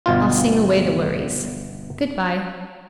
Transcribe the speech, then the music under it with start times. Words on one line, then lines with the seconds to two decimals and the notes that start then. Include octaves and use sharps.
I'll sing away the worries, Good-bye.'
0.06 G1 B2 F4